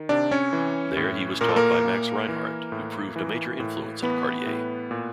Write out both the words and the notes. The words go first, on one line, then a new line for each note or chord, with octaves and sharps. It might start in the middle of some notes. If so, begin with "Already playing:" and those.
There he was taught by Max Reinhardt, who proved a major influence on Cartier.
Already playing: D#3
C3 D4 D5
C#4 C#5
E3
A2
A#2 A#4
A4
A#3 A#4
A#2
E3
A2
E3
A2
E3 B3 B4
A2
A#2